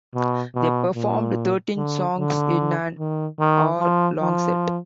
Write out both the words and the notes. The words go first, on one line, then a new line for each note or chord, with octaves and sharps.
They performed thirteen songs in an hour-long set.
B2
B2
A#2
D3
D3
D#3
D#3
F3
F3